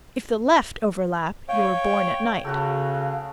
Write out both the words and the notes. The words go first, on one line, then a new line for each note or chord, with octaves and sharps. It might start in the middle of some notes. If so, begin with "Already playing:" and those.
If the left overlap, you were born at night.
C#5 F5 G5
C#3 A3 F#4 F#5
F5